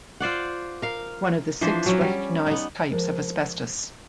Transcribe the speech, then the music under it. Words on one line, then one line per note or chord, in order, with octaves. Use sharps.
One of the six recognized types of asbestos.
F4 C5 D5 F#5
A#4 F5
E3 F3 D4 C5
F#3 C#4
G3
B3 D#4
F3 G#3 A#4 D5